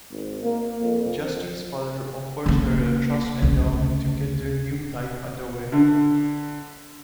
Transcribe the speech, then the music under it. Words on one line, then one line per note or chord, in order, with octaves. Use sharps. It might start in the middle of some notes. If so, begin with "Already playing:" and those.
Justy's father offers her a trust endowment to get their new life under way.
G#1
A#3
F2
C#3 A#3
D2 C#3
D3